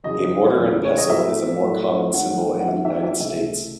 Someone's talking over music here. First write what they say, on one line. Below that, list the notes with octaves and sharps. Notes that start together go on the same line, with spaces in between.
A mortar and pestle is a more common symbol in the United States.
E2 C#3 F#3 D#5
E2 C#3 F#3
C#5
D#5
A2 F#3 A3 E5
A2 F#3 A3
G#2 D#3 A3 F#5
F#5
G#2 D#3 A3 E5
E5
E5
C#2 C3 E3 A3 E5